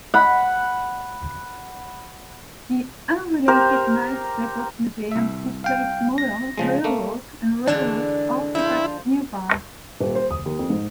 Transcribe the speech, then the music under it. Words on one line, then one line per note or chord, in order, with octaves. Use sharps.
The unrelated Niles Depot Museum displays model railroads and railroad artifacts nearby.
F#5 B5
G4 A#4 C5
C2 E5
F5 G5
A#6
C#3 F3 G#3
A3 A#3
D3 E3 G#3 D4
F3 E4 C5
D#1
C5
D#6
D#2
F2
G#2